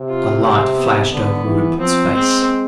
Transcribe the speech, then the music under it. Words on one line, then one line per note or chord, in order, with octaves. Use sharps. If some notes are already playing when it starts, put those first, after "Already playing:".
A light flashed over Rupert's face.
Already playing: C3
F4
C4
B3
D3 B3
E3
F3 C4
G#3 C4